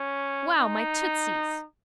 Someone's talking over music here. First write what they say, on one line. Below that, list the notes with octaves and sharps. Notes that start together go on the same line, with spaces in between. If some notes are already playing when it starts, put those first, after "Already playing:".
Wow, my tootsies!
Already playing: C#4
D#4